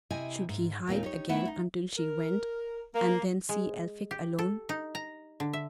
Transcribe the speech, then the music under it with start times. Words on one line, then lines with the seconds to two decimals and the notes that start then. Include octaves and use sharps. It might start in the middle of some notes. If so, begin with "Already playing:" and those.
Should he hide again until she went, and then see Elphick alone?
0.10 C3 E4 D#5 G#5
0.49 G#2
0.87 D#2 A#2 C4 D#4
1.03 D#4 G4 C#5
1.29 A3 B3 E4 E5 F#5
1.48 D#4
1.98 A#4
2.95 A#3
3.49 G#3
4.11 G4
4.39 A4
4.69 D#4
4.95 A#5
5.40 D3
5.53 E5